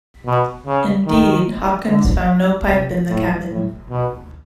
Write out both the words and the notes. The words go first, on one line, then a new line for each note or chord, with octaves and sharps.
Indeed, Hopkins found no pipe in the cabin.
B2
C#3
D#3
D3
C3
A2
A2
B2